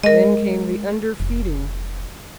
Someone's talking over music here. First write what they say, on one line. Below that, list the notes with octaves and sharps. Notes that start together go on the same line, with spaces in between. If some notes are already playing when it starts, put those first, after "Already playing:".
Then came the underfeeding.
G#3 A#4 D#5
F1